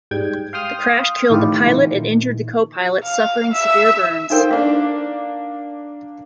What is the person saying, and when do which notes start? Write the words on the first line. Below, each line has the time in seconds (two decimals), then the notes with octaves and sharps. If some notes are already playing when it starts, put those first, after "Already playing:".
The crash killed the pilot and injured the co-pilot, suffering severe burns.
0.11 G#2 G3 G5 G#6
0.53 F5 G5 C6 D#6 F6
1.30 A2 D#3 E3 E4 F4 G4
1.65 A#2 D#3 E3
3.03 F5
3.52 E5
4.30 D#4 F4 A4 A#4 C5 G5
4.51 A#3 D4 F5